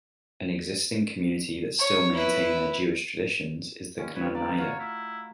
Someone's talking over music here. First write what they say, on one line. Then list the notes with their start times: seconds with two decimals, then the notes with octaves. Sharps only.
An existing community that still maintain their Jewish traditions is the Knanaya.
1.79 C#5
2.14 E4 B4
3.98 D#2 C#4
4.15 G1 B4 C#5
4.35 A3 D5 F5 A#5
4.58 F4 F#4 C#5
4.79 E4